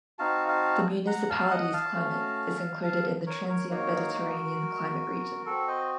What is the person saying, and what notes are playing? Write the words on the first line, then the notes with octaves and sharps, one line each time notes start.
The municipality's climate is included in the transient-Mediterranean climate region.
C4 D#4 F#4 F5 A5
F5 A5
F#5 A#5
F5 A5
D#5 F#5
F5 A5
A3 C#4 F#4
F5 A5
A#4 C#5
A#4 C#5
A#3 D#4 F#4 A#4 C#5
F#4 A#4
C4 F#4 A4
C5 D#5